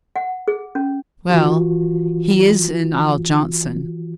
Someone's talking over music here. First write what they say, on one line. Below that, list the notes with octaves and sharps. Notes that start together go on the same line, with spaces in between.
"Well, he is in Isle Johnson."
F#5
G#4
C#4
E3 F4 F#4